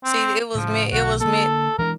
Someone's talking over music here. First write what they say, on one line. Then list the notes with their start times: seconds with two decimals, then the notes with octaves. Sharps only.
See, it was meant it was meant
0.04 C4
0.55 A2 C#3 F3
0.92 B1 D3 F#4
1.21 D3 A#3 A4
1.79 E3 G#3 D4 A#4